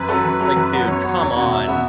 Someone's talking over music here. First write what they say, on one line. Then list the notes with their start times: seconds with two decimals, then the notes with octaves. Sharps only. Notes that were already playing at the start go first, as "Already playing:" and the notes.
like, dude, come on,
Already playing: F#2 B4
0.08 F#3 C#4 A4
0.25 F#2
0.40 F#3 C#4 A4
0.56 F#2 B4
0.72 F#3 B3
0.88 F#2 C#5
1.03 F#3 B3
1.20 E2
1.35 B2 B3 F#4
1.50 E2 E5
1.67 B2 B3 F#4